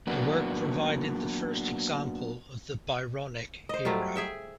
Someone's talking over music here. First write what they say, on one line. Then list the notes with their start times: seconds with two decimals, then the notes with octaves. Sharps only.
The work provided the first example of the Byronic hero.
0.07 F#3 A#3 B3 D4 F#4
3.69 C5 D#5
3.85 F#3 G3 A3 F4
4.16 G#4 E5 G5